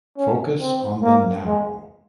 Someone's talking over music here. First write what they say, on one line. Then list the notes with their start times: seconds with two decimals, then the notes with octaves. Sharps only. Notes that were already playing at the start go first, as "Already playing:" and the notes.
Focus on the now.
0.17 C#4
0.60 C4
1.02 A#3
1.46 G#3